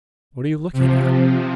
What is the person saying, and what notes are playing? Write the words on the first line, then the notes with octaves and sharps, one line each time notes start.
"What are you looking at?"
C3 F3